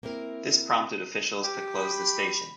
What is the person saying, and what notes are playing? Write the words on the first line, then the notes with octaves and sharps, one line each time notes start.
This prompted officials to close the station.
A#3 C4 E4 A#4
G4
B5